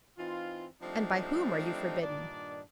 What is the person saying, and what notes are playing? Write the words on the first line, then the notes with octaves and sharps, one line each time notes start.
"And by whom are you forbidden?"
E3 C4 D#4 F4
F3 G3 A3 C4 D4 D#4
G2 A#2 D#3 D4 D#4 D5